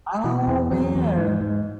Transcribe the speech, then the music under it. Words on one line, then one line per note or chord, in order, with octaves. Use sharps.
Oh, man.
B2 E3
E2 E3
E2 F#3
E2
G#2
G#2